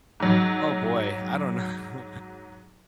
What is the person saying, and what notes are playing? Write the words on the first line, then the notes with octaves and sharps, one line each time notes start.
Oh, boy. I don't kn
G#2 F#3